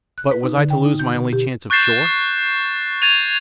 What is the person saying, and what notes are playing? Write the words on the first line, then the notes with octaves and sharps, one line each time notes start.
But was I to lose my only chance of shore?
F#6
B4
D#4
D3
G5
D#4
G6
B2
G4
C#6 F#6 G6 A6 C7 E7
G#6 A6 D#7 F7